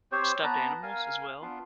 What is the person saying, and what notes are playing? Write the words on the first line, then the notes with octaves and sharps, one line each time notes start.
stuffed animals as well.
C4 G4 C5 C#5
B3 B4 A5 A#5
A#4 F5 G#5
B3 D4 F4